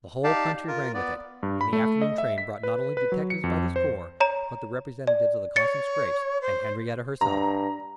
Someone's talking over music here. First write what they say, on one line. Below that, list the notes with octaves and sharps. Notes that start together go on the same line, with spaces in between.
The whole country rang with it, and the afternoon train brought not only detectives by the score, but the representative of the Constant-Scrappes and Henriette herself.
D#4 G4 D5 F5 A5
F4 A#4
B3 D5
G2
B5
A3
D#5
E5
B6
B4
B4
F#3
C#7
F2
C5
C#5 A#5
D5
C#5 A6 C#7
C5
G2 A#5